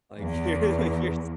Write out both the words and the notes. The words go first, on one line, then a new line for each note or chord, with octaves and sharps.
Like, you're, like, you're s
E2